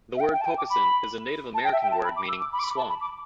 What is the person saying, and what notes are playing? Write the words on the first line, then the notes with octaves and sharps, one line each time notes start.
The word pocosin is a Native American word meaning "swamp".
E5
G5
G5
A5
G5
D6
B5
A5
G5
E5
G5
A5
B5
D6
E6
D6
B5
D6
B5
A5
B5
D6